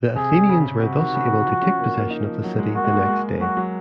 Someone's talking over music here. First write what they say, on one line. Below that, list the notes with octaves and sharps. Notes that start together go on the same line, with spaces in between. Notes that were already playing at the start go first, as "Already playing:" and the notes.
The Athenians were thus able to take possession of the city the next day.
C3 G#4
C#3
C3 F#4
D#3
C#3
D#3
F3
C#4
A#3
A#3
D#4
F3
F#3
G#3
A#3 F#4
G#3
A#3
G#3
F#3 F#4
F#3